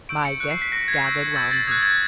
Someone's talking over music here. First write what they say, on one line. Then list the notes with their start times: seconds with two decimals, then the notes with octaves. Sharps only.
My guests gathered round me.
0.09 C#6 E6 G6 D7
0.25 C#7
0.40 C#6 F#6 C#7
0.51 C7
0.62 B6
0.72 C#6 F#6 A#6
0.88 G#6
1.04 C#6 E6 G6
1.35 C#6 E6 G6 A6
1.51 A6
1.67 D#6 F#6 G#6
1.83 G#6